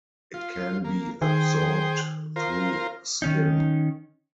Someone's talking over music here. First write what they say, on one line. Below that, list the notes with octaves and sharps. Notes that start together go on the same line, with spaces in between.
It can be absorbed through skin.
F4
A#3
D#3 G#4 C5 G5
F4 A#4 C5
D#3 C#4 D#4